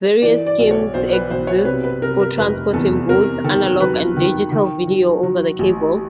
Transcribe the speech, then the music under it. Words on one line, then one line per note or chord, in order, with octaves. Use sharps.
Various schemes exist for transporting both analog and digital video over the cable.
E3 D5
D5
B1
C#5
B1 C5
B4
B1 C5
C#5
C3 B4
B4
C3 A#4
A#4
F1 B4
E2 A4
C3 A#4
D#3 A4
F#3 B4
D#3
D#3
F#3
F#3
A1